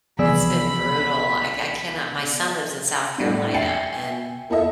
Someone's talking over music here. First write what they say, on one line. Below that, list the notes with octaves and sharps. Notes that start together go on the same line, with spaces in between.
It's been brutal. I ca I cannot My son lives in South Carolina, and
C2 E3 F3 B3 G#4 D5 B5 E6
A2 G3 D4
E5 G5 G#5 A6 C7 C#7
A#3 E4 F4 A4 D#5 E5